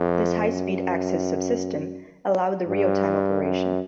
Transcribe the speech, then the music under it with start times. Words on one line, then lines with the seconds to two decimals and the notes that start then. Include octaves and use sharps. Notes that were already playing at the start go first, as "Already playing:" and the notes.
This high-speed access subsystem allowed the real-time operation.
Already playing: F2
0.48 F#2
2.67 G2
3.41 F#2